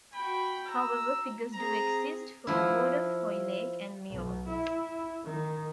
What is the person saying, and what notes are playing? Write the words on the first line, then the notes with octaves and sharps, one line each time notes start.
However figures do exist for the ward of Hoylake and Meols.
F#4 G5 B5
A#5 E6
C4 G#4 A#5
F3 E4
B1
E4
D#3